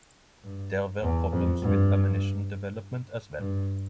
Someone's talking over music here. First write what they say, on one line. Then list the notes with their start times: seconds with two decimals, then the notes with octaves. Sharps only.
There were problems with ammunition development as well.
0.43 G2
1.03 E2
1.32 F2
1.62 G2
3.39 G2